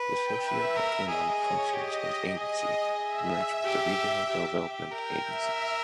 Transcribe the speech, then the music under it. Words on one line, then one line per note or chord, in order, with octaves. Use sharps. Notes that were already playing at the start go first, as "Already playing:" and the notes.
The socio-economic functions of the Agency were merged with the Regional Development Agencies.
Already playing: B4
G5
B4 E5
A#4
G#4 D#5
C#5
G4 D#5
G#4 D#5
E5
G4
G4
A#4 G5
E5